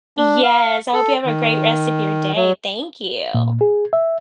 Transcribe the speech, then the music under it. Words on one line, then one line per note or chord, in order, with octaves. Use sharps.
yes, I hope you have a great rest of your day, thank you.
D4
F5
A4
D#3
F#3
A#2
G#4
E5